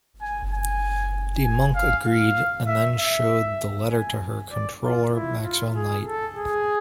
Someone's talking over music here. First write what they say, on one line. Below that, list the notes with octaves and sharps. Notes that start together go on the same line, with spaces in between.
De Muncke agreed and then showed the letter to her controller Maxwell Knight.
G#5
G#5
G#5
F5
F5
E5
E5
G#5
D5
F4
E4
F4
G#4
A4
G#4